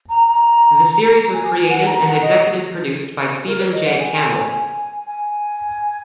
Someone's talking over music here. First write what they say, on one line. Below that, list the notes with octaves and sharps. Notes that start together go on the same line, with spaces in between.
The series was created and executive produced by Stephen J. Cannell.
A#5
A#5
G#5
G#5
F#5
A#5
F#5
D#5
A#4
C#5
D#5
F#5
G#5
G#5